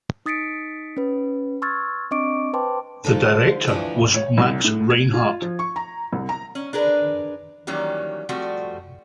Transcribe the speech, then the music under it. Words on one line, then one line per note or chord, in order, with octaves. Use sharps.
The director was Max Reinhardt.
D#4 D#6 A6 B6 C#7 D7
C#4 B4
C6 C#6 E6 F6 G#6 A6
C4 D4 D#5 C#6 D6 D7
B4 C5 G5 A5 C6 D6
D3 G3 D#4 F4 A4 C5
E3 F3 D4
C#5
C2
A2
G#6
F4
F3
C#6
A#5
C2
A#5
C#4
D4 G#4 A#4 B4
D#3 E3 F#3 G3 A#3 C#4
F3 G3 A3 C4 F#4